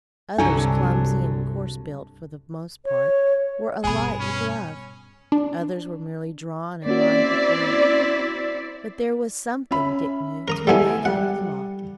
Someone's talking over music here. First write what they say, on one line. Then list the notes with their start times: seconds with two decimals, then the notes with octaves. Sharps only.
Others, clumsy and coarse-built for the most part, were alight with love; others were merely drawn and lined with work; but there was something, Dick knew, to be made out of them all.
0.38 C2 G2 D3 F#3 D4 A4
2.85 C#5
3.84 G2 B2 G#4 G#5 B5
4.20 C#4
5.32 D4
6.86 A#3 C4 C#4 E4 F#4 D5
9.71 C#4 E5 B5
10.48 A#4 A#5 D#6
10.67 G3 B3 E4 A4 E5 G#5
11.05 G3 F#5